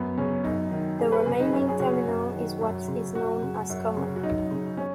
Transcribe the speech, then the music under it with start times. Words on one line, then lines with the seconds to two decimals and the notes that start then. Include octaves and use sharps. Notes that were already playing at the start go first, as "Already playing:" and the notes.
The remaining terminal is what is known as "common".
Already playing: F#2 B3
0.18 C#3 C#4
0.44 F#2 D#4
0.71 D#3
0.99 F#2 G#4
1.12 B4
1.26 C#3 G#4
1.40 D#4
1.52 F#2 C#4
1.68 G#4
1.79 C#3 F#4
2.07 F#2
2.34 D#3
2.61 F#2
2.88 C#3
3.15 F#2 F#4
3.42 C#3
3.70 F#2
3.97 C#3
4.16 F#4
4.23 F#2 D#4
4.51 C#3
4.77 C#4